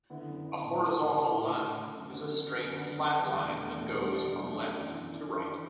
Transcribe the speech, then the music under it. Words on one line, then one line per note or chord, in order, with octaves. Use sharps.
A "horizontal line" is a straight, flat line that goes from left to right.
D3 B3 E4
F#2
D3 B3 E4
A2
A3 D4
A2
A3 D4
A2
A3 D4
A2
A3 D4
F#2
D3 B3 D4
F#2
D3 B3 D4
F#2
D3 B3 D4
F#2
D3 B3 D4
E2
B2 A3 D4
E2
B2 A3 D4
E2
B2 A3 D4
E2
B2 A3 D4
F#2
E3 D4
F#2
E3 D4
F#2
E3 D4